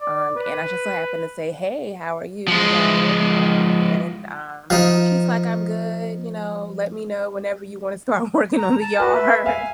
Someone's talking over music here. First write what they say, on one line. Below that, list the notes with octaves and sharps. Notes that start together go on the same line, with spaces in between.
um, and I just so happened to say, "Hey, how are you," you know, um, and, uh, she's like, "I'm good, you know, let me know whenever you wanna start working on the yard,"
D5
B4
F3 G#3
F3 D#4
A#5
A5
F#4 B4 B5
E5
E5 F5 G#5